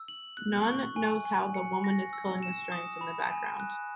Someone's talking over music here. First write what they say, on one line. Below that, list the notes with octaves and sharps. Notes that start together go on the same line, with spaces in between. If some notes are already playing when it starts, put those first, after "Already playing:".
None knows how the woman is pulling the strings in the background.
Already playing: E6
F#7
F#6
C#6
G#5
G#5
C#7
A#6
E6
E7
D#6
B5
G#5
F#6